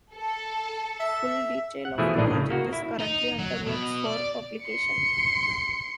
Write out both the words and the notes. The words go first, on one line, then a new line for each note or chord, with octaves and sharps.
Full detail of the project is currently under works for publication.
A4
E5
F#5
B2 E3 F3 A3 E4 G#4
A#1 A2 D4 D#4 G#4
A2 C#3
A#3 F#4
E4
D#4
F#3
B2
D5
C6 C#7